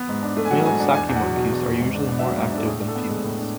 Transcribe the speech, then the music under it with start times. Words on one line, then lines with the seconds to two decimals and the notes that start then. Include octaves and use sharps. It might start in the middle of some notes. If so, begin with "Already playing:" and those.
Male saki monkeys are usually more active than females.
Already playing: B3
0.09 G#2
0.23 D4
0.37 A3
0.45 G#5
0.51 F#3 F#5
0.65 G#2 G#5
0.80 D4 F#5
0.95 E2 G#5
1.09 E2
1.16 F#5
1.23 F#3
1.37 B2
1.52 E2
1.66 E2
1.80 G#2
1.95 D4
2.09 B3
2.19 E5
2.23 F#3 F#5
2.37 G#2
2.52 D4
2.57 A4
2.66 A2 G#4
2.80 D4
2.88 A4
2.95 B3
3.10 G#3
3.24 A2
3.39 D4